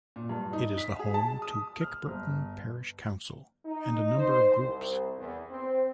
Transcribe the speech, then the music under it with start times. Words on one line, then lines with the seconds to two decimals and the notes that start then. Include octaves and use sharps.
It is the home to Kirkburton Parish Council and a number of groups.
0.16 A#2
0.29 G2
0.53 D#4
0.78 B6
0.99 G#4
1.14 A5
1.42 D#6
1.81 F6
2.07 G1
3.66 D#4
4.18 C5
4.60 C2
5.18 E2
5.50 C4